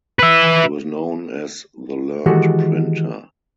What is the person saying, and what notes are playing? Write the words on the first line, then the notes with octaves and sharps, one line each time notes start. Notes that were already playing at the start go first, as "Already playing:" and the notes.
He was known as the learned printer.
B4 E5
D#3 E3 G#3 F#4 G4 A4